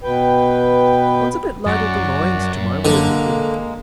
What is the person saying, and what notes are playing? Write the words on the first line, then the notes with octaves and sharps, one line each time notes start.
"Runs a bit light at the loins, to my way of thinking'."
B2 B4 G5
F#2 F#4 D5
D3 G#3 A#3